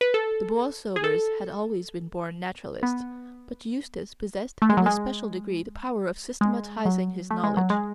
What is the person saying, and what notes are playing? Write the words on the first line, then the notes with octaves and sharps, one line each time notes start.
The Borlsovers had always been born naturalists, but Eustace possessed in a special degree the power of systematizing his knowledge.
B4
A4
G#4
A4
B3
A3
G#3
F#3
G#3
G#3
F#3
A3
G#3
F#3
G#3